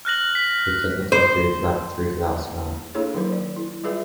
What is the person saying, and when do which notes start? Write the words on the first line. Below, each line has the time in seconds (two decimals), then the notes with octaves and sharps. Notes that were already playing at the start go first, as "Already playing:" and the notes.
It does not include laboratory glassware.
0.05 F6 F#6 A#6 F#7
0.35 B6
1.12 C5
2.95 A#3 D4 E4 G#4 A4 C#5
3.14 D#3 F#3 D#4 C5
3.32 D5
3.56 E4
3.84 G3 F4 G#4 B4 E5